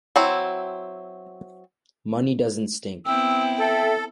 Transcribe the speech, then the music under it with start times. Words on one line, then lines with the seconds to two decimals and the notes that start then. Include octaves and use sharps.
Money doesn’t stink.
0.16 F#3 C4 E4
3.06 B3 C4 E4 G5 E6
3.59 A4 E5